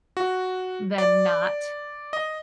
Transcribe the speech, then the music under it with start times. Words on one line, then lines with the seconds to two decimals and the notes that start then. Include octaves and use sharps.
than not,
0.17 F#4
0.98 D5
2.13 D#5